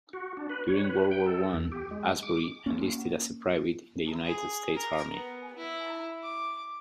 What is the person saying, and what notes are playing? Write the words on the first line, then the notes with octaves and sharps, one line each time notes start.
During World War One, Asbury enlisted as a private in the United States Army.
F#4
D4
B4
C#5
B4
G5
A4
E2
G4
G#3
D6
A#3 C#4
G#4
A#4
B3
E4
D6